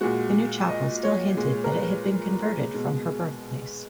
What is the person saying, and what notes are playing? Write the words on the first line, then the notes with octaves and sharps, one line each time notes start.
The new chapel still hinted that it had been converted from her birthplace.
A#2 G#3 F#4
D#5
C#5
A#2 G#3
A#4
B4
G#4
B2 G#3
G#4